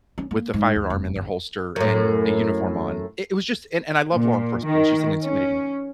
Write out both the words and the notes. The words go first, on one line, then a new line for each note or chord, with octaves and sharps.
with the firearm in their holster and a uniform on. It it was just and and I love law enforcement. It was just an intimidating
C#4
A#3
G#2
D#2
F1
G1
F#2 A2
A#2
D#3
C#4